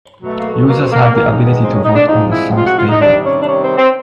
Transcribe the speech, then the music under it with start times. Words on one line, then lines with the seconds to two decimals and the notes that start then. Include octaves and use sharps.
Users had the ability to vote on the songs they heard.
0.22 B2 F#3 A3
0.37 A#3
0.53 A3
0.68 A#3
0.79 C4
0.91 A#3
1.03 A#3
1.14 F#2 D#3 G#3 A#3
1.30 D#4
1.45 B3
1.61 C4
1.72 C#4
1.84 D#4
1.95 D4
2.07 C3 F3 G#3 D#4
2.31 E4
2.54 F4
2.65 F#4
2.77 F4
2.89 D#4
3.00 C3 D#3 G3 D4
3.23 C#4
3.40 D4
3.47 C#4
3.62 C4
3.77 C4